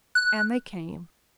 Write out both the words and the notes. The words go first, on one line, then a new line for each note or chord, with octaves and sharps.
And they came.
F#6